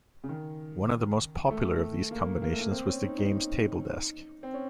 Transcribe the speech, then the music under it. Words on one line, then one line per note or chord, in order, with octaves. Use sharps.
One of the most popular of these combinations was the games table desk.
C#3
D#3
A3
A#3
A#3
A3
A#3
C4
C#4
D#4
D#4
C4
C#4